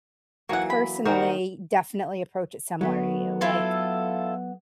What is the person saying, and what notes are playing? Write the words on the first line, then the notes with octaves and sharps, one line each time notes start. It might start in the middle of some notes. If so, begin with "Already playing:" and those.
personally, definitely approach it similar to you, like,
E3 F#3 A#3 F#4 F#5
B5
D#3 F#4 A#4 C5
F#3 A3 B3
E4 F4 A4